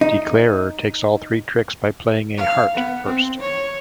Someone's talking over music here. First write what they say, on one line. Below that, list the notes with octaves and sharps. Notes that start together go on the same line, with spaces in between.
Declarer takes all three tricks by playing a heart first.
D#4
F5
B3
C4
C#5